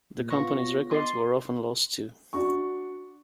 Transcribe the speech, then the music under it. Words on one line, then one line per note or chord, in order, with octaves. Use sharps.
The company's records were often lost too.
A#2
B3 F4 C#5 C#6 A#6
D#5 G#5 C6 D6 A6 C7
D4 F#4 C#6